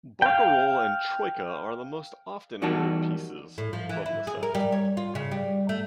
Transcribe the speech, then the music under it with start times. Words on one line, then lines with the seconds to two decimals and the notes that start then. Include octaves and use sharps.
"Barcarolle" and "Troika" are the most often-heard pieces from the set.
0.22 F5 G5
2.62 E2 G3 D#4 F#4 A#4 A5
3.58 A2
3.73 F3
3.89 E3
4.06 E4
4.27 G#4
4.43 A#4
4.55 G3
4.72 C#5
4.97 F4
5.15 C#3
5.32 G3
5.69 A3